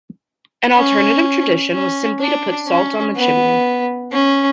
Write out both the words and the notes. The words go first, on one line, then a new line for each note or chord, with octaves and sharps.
An alternative tradition was simply to put salt on the chimney.
C#4
C#4
D4
C#4
B3
C#4